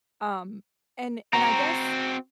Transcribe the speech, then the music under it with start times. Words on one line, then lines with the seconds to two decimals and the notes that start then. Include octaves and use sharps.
Um, and and I guess
1.33 C4 F#4 A#5